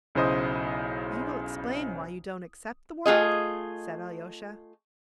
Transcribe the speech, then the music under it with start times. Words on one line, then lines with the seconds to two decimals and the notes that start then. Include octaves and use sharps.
"You will explain why you don't accept the world?" said Alyosha.
0.15 B1 C#3 E4 C5 D#5 D#6
3.06 A3 F4 G#4 D#5